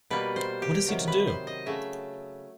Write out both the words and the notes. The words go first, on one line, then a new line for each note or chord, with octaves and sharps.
What is he to do?
B2 G3 A#3 B4
C5
G4
C3 D#3 F#3
B4
C5
D#5
C#3 F#3 A3 E5